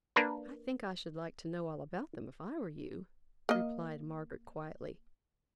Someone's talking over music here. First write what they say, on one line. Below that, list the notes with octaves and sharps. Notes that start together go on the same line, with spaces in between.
'I think I should like to know all about them, if I were you,' replied Margaret quietly.
A#3 D4 A#4 B4
A#3 D#5